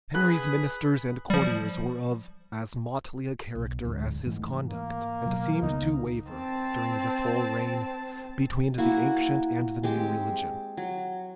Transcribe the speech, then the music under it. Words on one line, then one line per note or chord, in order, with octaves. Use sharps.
Henry's ministers and courtiers were of as motley a character as his conduct; and seemed to waver, during this whole reign, between the ancient and the new religion.
G#4 B4 F#6
F3 G3
B1
D1 D2 G#2
G#2 E3 A3
A#3
B2 F#3
C#2 C#3 B3 D#4
C4 A5
A#3 E4 F#4
G#3 C4 G4
F#3